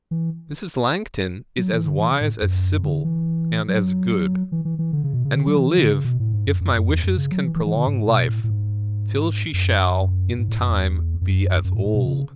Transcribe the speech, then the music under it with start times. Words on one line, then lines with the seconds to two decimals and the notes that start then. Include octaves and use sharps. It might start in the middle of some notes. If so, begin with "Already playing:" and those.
Mrs. Langton is as wise as Sibyl, and as good; and will live, if my wishes can prolong life, till she shall in time be as old.
0.11 E3
1.58 F#3
1.72 E3
1.86 D3
1.99 E3
2.11 C#3
2.21 A2
2.42 F#2
2.83 D3
3.04 E3
3.68 F#3
4.52 E3
4.65 E3
4.79 E3
4.93 D3
5.04 C#3
5.14 B2
5.25 C#3
5.35 D3
5.46 F#3
5.57 E3
5.78 D3
5.91 C#3
6.05 B2
6.20 A2
6.33 G#2
6.47 F#2
6.60 F#2
6.75 F#2
6.88 E2
7.03 F#2
7.17 C#3
7.31 F#3
7.44 E3
7.56 E3
7.66 E3
7.76 D3
7.86 G#2
8.08 B2
8.29 A2
8.44 A2
8.50 G#2
9.54 F#2
10.38 G#2
10.48 A2
10.60 F#2
10.69 E2
11.21 F#2
11.64 F#2
11.74 A2
11.85 A2
11.95 B2
12.06 C#3